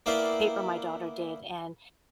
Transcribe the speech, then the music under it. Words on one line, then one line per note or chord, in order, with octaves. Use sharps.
paper my daughter did, and
A#3 B3 E4 D5 F5 G5